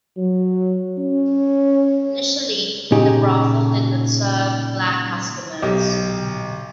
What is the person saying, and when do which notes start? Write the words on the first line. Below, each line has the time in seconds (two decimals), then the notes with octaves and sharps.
Initially, the brothel did not serve black customers.
0.17 F#3
0.98 C#4
2.92 A#2 C#3 D#4 G4 G#4
5.62 B1 G4 D#5